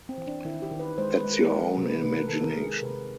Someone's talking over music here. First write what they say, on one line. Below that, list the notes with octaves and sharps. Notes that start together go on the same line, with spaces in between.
That’s your own imagination.
C4
E3
D4
D#3 E4
G4
D#3
B4
G#3 C5
B4
G#3
A#4
G#3 A#4
A#4
C3
B4
C3 B4
A#4
D#3 A4
A#4
G#3 G#4
A#4
C3 B4